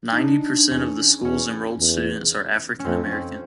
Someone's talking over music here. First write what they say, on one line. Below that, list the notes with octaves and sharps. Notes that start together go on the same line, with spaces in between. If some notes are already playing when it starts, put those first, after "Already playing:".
Ninety percent of the school's enrolled students are African-American.
D4 D#4
E2 C#4
E2 C#4
E2
C#4
F2 C4
C#4
C4